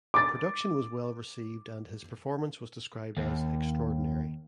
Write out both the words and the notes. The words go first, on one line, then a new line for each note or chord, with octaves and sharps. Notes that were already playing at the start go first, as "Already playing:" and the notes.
The production was well received and his performance was described as "extraordinary".
D6 A6
D#2